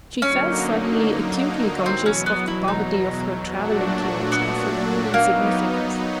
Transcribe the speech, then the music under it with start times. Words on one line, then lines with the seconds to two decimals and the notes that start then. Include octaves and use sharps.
She felt suddenly acutely conscious of the poverty of her travelling clothes, of her own insignificance.
0.21 D3 F#3 A#3 C#4 D#4
1.86 E2 B2 F#3 C4
2.06 C#4
2.26 B3
2.47 E4
2.68 D#4
3.50 A#2 F#3 A3 D4 F#4
4.32 B3
5.14 F#3 A#3 B3 D#4